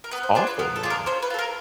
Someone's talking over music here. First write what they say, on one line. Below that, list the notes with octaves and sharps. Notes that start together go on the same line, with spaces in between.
It's awful, man.
A#4
B3 B4
C5
D4 F4 G#4 C5
B4
B3 A#4
A4
D4 F4 G#4
A#4
C#4 C5
B4
F4 A4
A#4